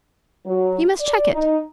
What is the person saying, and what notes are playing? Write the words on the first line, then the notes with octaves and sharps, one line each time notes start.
You must check it.
F#3
D5
D#4